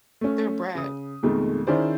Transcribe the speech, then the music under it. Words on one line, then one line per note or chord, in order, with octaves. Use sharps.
They're a brat.
A3 C#4
C#3 D#6
F2 B2 D#3 G#3 A3
D#3 C#4 E4 G#4 C5 D5